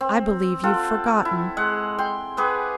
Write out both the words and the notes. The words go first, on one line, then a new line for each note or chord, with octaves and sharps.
"I believe you've forgotten."
C4
F4 A4 F#5 G5
E4
G#3 F#5
G5 C6
G4 G#4 B4 F#5